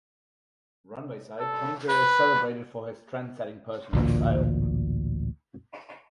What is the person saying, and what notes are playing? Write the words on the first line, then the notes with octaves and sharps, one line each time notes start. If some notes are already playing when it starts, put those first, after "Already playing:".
Runway-side, Poynter is celebrated for his trend-setting personal style.
A4
B4
A1 D2 A#2